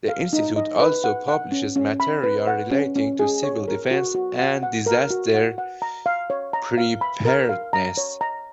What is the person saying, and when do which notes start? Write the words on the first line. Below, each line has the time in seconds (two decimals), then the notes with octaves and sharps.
The institute also publishes material relating to civil defense and disaster preparedness.
0.09 F5
0.33 D#4
0.56 D#5
0.80 B4
1.04 F#5
1.28 F#5
1.52 C#4
1.76 C#4
2.00 B5
2.24 B4
2.47 F#5
2.71 C#4
2.96 C#4
3.19 G#4
3.43 C#5
3.68 A#4
3.91 F#4
4.15 F#4
4.39 F#5
4.63 F#5
4.86 A#4
5.10 F#4
5.34 F#5
5.58 F#5
5.82 A#5
6.06 F5
6.30 C#5
6.53 A#5
6.77 F5
7.01 B5
7.25 A#4
7.49 F5
7.73 A#5
7.97 C#5
8.21 A#5